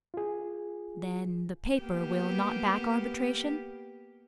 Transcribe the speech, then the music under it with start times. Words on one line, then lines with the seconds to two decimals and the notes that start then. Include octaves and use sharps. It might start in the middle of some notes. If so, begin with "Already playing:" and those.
"Then the paper will not back arbitration?"
0.14 F4 G#4
1.80 A#3 B3 G4